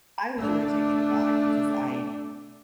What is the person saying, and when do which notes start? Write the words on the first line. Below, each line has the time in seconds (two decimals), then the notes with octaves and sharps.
I was really taken aback, because I
0.38 A3 D4